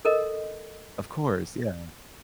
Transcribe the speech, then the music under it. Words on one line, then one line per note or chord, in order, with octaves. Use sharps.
Of course, yeah.
A4 A#4 D#5